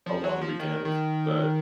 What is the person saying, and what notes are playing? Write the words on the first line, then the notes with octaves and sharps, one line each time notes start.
a long weekend. But,
F3
F#3
F3
D#3
D#3